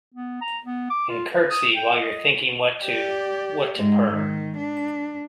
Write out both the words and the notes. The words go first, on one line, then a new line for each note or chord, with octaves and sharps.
And curtsey while you’re thinking what to—what to purr.
B3
A#5
B3
D6
F4
B4
D#6
G5
D#5
G4 D5
G#2 G#3
D#3
D4